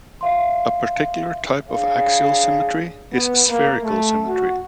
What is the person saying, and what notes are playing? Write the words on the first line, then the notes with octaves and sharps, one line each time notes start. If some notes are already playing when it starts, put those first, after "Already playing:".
A particular type of axial symmetry is spherical symmetry.
E5 F5 C6
D4 G#4 C#5 F5
B3
A#3
A3
F#4